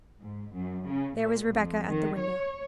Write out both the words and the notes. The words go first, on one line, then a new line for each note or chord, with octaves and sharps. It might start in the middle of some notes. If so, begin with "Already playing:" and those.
There was Rebecca at the window.
G#2
F#2
C#3
A#2
F2
D#3
C#5